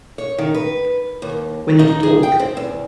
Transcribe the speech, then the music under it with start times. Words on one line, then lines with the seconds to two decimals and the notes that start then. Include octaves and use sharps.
We need to talk.
0.18 C#5
0.38 D#3
0.55 B4
1.22 D#2
1.79 D#4
2.03 G#4
2.23 G5
2.40 C4
2.57 E2